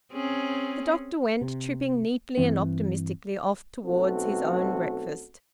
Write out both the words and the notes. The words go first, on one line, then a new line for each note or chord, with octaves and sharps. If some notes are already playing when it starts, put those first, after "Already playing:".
The doctor went, tripping neatly and optimistically, off towards his own breakfast.
C4 C#4 G#4
C3
G2 E3 C4
B1 A3 C4 C#4 F#4 A4